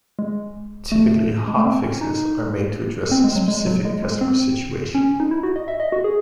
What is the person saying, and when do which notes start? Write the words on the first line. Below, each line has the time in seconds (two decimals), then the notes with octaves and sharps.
Typically, hotfixes are made to address a specific customer situation.
0.19 G#3
0.92 A3
1.48 G#3
1.56 A3
1.65 C4
1.83 C#4
2.01 D#4
3.11 C4
3.24 G#3
3.36 F#3
3.48 G#3
3.66 F#3
3.85 G#3
4.03 G#3
4.21 C4
4.95 C#4
5.20 D#4
5.31 E4
5.43 F#4
5.56 D#5
5.68 E5
5.80 D#5
5.92 F#4
6.04 G#4